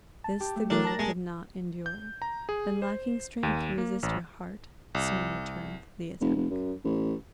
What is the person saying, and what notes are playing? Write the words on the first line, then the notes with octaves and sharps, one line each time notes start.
This the girl could not endure, and lacking strength to resist her heart, soon returned to the attack.
A5
G4
A3
E3 A3 D4 A#4
A5 A#6
G#3
G6
A#5
G#4
C5
D#2
A#3
A1
C2
F1
F1
F#2
A1